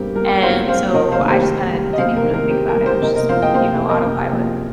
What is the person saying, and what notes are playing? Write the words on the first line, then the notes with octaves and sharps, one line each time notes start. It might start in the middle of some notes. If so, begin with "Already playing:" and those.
And so I just kinda didn't even really think about it. I was just, you know, autopilot.
Already playing: G2 C4 G4 A#4
G3 A#4
F4 C5 F5
C4 C5 F5
C3 A#4 D#5
C5 F5
D#3
G4 C5
C4
G3
D#5
C3 C5 F5
A#4
D#3
A#4
C4 G4
A#4
G3
G4 C5
C3 A#4 D#5
A#4 D#5
F3 C5 F5
D#5 G5
C3 C5 F5
A#3
A#4 D#5
C3
F3